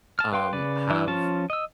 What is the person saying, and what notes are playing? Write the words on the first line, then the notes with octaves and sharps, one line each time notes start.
um, have
A5 F6
B4 F5 G5 C6
C#3 B4 D5
E3 D4 E4
F3 C#4 F4 A5
D#5 E6